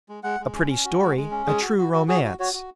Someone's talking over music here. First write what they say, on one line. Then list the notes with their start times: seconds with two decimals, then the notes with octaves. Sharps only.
A pretty story, a true romance!
0.09 G#3
0.23 G#3 F#5
0.40 G#3
0.55 C#4
0.70 C#4
0.85 F#4
1.01 G#3
1.16 G#3
1.31 C#4
1.46 G#3 G#4
1.62 F#4
1.77 F#4
1.93 F#4
2.08 F#4 G#4
2.24 F#4
2.39 F#4 C#5
2.54 F#4